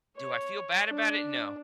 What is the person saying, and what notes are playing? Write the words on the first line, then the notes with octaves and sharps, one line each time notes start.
Do I feel bad about it? No.
C#5
D4